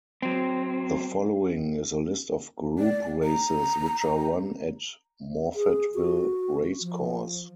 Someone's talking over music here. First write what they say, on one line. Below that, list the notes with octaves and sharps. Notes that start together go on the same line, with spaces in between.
The following is a list of Group races which are run at Morphettville Racecourse.
F#3 C4
D5
A#5
G#4
F#4
F3